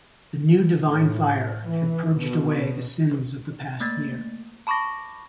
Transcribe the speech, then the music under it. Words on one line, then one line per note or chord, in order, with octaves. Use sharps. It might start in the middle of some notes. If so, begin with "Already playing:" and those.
The new divine fire had purged away the sins of the past year.
A2
E3
B2
A3 A#3 A6
A5 B5 C#6 D6 A#6